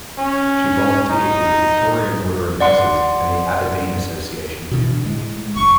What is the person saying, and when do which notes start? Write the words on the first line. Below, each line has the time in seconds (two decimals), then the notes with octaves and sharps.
She volunteered with the Victorian Order of Nurses and the Aberdeen Association.
0.18 C#4
1.09 D#4
2.60 D5 F#5 C6
4.71 B2 D3 E3
5.05 A2 G#3
5.56 F#1 C#6